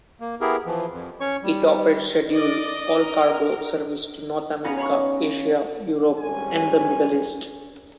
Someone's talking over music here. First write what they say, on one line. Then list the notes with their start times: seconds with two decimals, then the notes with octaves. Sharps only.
It operates scheduled all-cargo services to North America, Asia, Europe, and the Middle East.
0.20 A#3
0.41 B3 E4 G4 G#4 A#4
0.66 E3 F3
0.91 F2
1.20 C#4 C#5 C#6
1.43 G3
2.33 D5 D#5
2.96 A#4
4.64 B3 C#4 D#4 F#4 F5 B5
4.77 C#5 F5 B5 C#6
6.19 G#1 G3 C#4 G#5